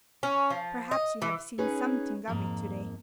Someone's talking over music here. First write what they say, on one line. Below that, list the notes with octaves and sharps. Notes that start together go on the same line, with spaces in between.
Perhaps you have seen something of it to-day.'
C#4
F3
D#5
E3
C#4 D#4 G#4 B4 C#5
F2 G#2 A#3 A#5